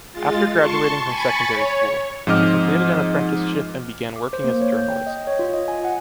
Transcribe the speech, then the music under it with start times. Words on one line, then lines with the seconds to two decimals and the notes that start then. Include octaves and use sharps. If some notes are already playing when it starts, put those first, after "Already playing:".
After graduating from secondary school, she completed an apprenticeship and began working as a journalist.
0.12 G#3 F4 A6
0.52 A5 C6 C#6
1.06 G#5 B5 C#6 A6 C#7
1.48 C#5
2.27 G#2 F3 C4 D#5 D6 F6
4.16 D6
4.33 C5
4.44 A#3
4.61 C#5
4.77 G6
4.90 G5
5.06 D#5
5.27 C#5
5.39 F4
5.54 D#5
5.68 G#5
5.84 F#5